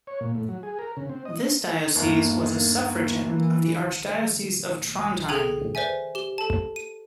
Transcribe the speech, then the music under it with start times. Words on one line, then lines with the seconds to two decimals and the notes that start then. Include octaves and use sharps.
This diocese was a suffragan of the archdiocese of Trondheim.
0.07 C#5
0.21 A#2
0.35 A2
0.48 F#3
0.63 G#4
0.79 A#4
0.97 C#3
1.09 C4
1.25 D#5
1.95 G1 D#2 A#3
3.28 E3
5.28 G#4 A4 G5 G#6 D#7 F#7
5.75 B4 C5 D5 E5 G#5
6.15 G4 G7
6.38 A4 A5
6.76 D#7